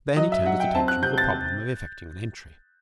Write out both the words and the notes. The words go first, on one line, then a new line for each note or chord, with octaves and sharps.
Then he turned his attention to the problem of effecting an entry.
F#3 D#5
E5
F#3 F#5
G5
C4 A5
F#6
C3 G6
A6